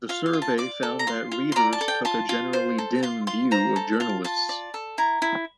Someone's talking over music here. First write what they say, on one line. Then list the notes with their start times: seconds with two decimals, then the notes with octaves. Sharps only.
The survey found that readers took a generally dim view of journalists.
0.09 F4 F5
0.26 F5
0.33 F4
0.42 A5
0.58 D5 D6
0.83 A4
0.99 A#5
1.07 F4 C6
1.32 F4
1.52 C6
1.56 D5 A#5
1.73 A5
1.81 A4
1.88 G5
2.05 F4 A5
2.29 F4
2.53 C5
2.78 A4
3.03 F4 C6
3.27 F4 C6
3.51 C5 A#5
3.76 A4
4.00 F4 A5
4.24 F4 A5
4.49 D5
4.74 A4
4.98 E4 A#5
5.22 E4